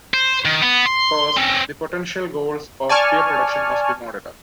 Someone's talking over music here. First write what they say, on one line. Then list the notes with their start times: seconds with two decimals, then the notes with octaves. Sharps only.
First, the potential goals of peer production must be modular.
0.14 C5
0.45 D#3
0.63 B3
0.86 C6
1.37 C4 C#4
2.89 D5 G#5 A5 C#6 F6